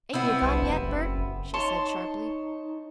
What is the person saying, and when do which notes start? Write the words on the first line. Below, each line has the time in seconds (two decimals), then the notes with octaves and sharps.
"Ain't you gone yet, Bert?" she said sharply.
0.14 B3 C4 E4
0.42 C2
0.62 F#1
1.54 D#4 C#5 A5 C6